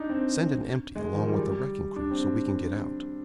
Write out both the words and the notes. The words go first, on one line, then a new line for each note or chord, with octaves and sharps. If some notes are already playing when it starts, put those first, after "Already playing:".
Send an empty along with the wrecking crew so we can get out.
Already playing: D4 D#4
C4
G#3
D#3
F3
G3
G3
D4
C4